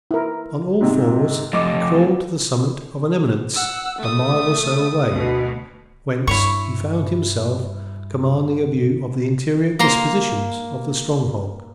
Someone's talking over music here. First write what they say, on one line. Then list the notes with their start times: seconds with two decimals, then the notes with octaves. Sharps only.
On all fours he crawled to the summit of an eminence a mile or so away, whence he found himself commanding a view of the interior dispositions of the stronghold.
0.11 E4 A#4
0.81 G#2 C3
1.53 F2 A3 D#5 D6
3.54 F#5 E6
3.99 A3 D#6
5.08 D2 B2
6.27 G2 E4 C#5 C#6
9.79 A#3 A#5 C6